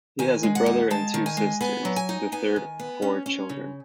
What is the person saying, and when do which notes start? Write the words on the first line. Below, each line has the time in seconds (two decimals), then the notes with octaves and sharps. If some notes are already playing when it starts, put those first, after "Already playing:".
He has a brother and two sisters, the third of four children.
0.19 D#3 G#5
0.43 G#3
0.55 F#5
0.66 D#3
0.91 G#3 A5
1.14 D#3
1.26 G#5
1.37 G#3
1.61 B3 G#5
1.85 F#3
1.96 G#5
2.09 D#4
2.32 B3 G#5
2.56 D#3
2.79 B3
3.02 C#4
3.26 C#4
3.49 C#3